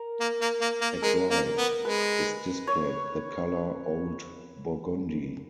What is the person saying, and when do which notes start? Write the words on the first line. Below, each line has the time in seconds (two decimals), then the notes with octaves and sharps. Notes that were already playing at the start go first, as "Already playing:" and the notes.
At right is displayed the color old burgundy.
Already playing: A#4
0.20 A#3
0.41 A#3
0.61 A#3
0.81 A#3
1.02 G#3 A#4
1.30 A#3
1.58 B3
1.85 G#3 B4
2.67 C#5